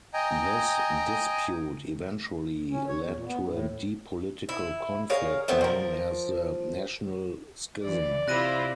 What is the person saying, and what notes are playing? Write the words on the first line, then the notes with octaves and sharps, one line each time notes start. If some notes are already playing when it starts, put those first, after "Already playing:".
This dispute eventually led to a deep political conflict, known as the "National Schism".
D#5 G5 G#5 A#5
C#4
C#5
E2
A#2
B3
F#2
A2
E4
G#4 A#4 C#5 F5
A3 B3 C4
F3 A#4
E3 D5
C3 E4 F4 C5 F#6 A#6 D#7